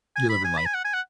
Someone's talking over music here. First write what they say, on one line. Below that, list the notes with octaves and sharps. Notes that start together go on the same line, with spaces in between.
You're living life.
G#5
B5
G#5
B5
G#5
F#5
G#5
F#5